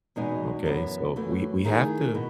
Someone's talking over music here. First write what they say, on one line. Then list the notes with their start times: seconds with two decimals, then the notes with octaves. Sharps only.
Okay? So we we have to,
0.16 E2 B2 G#3 D#4 G#4
0.66 F#2 E3 B3
1.16 F#2 E3 A3
1.65 D#3 A3 E4 G#4
2.15 B2